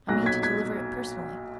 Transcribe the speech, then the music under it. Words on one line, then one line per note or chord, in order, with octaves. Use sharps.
I mean to deliver it personally.
B1 A#2 F#3 F#6 A#6
G#6 B6
G#6 B6